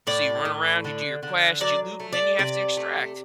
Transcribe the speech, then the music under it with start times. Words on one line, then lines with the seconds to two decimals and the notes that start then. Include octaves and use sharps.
so you run around, you do your quest, you loot, and then you have to extract,
0.07 A2 D5
0.45 A2
0.85 D3
1.23 D3
1.61 F#3 D5
2.00 A3
2.13 D5
2.38 C3 D5
2.77 A3